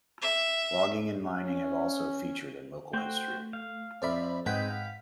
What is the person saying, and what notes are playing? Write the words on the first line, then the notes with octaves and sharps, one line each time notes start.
Logging and mining have also featured in local history.
E5
C#4
A3 F#4 C5 G5
F5
F2 C5 D5 E5 B5
G#2 G#3 C4 D#4 B4 F#5 G5 B6
F5